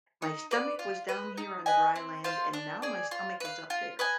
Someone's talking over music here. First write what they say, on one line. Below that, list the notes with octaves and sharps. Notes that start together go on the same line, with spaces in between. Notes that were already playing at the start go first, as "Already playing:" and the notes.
my stomach was down here on dry land, and now my stomach is up there.
D#4
B4 D5
F4
B4 D#5
D#4
B4 D#5 G#5
C4
F4 C5 F5
D4
G#4 D5
F4
B4 F5
F4
B4 D#5 G#5